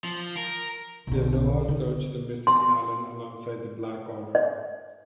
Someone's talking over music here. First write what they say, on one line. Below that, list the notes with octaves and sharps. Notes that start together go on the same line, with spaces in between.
The Noah search the missing Allen alongside the Black Order.
F3
A#4
B1 D3
D3 D#4
C6
D#5